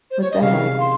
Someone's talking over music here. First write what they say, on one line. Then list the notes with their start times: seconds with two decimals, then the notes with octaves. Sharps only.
What the heck?
0.11 C5
0.21 C#5
0.31 D#5
0.41 C3 G3 C#4 G#4 F5
0.80 C6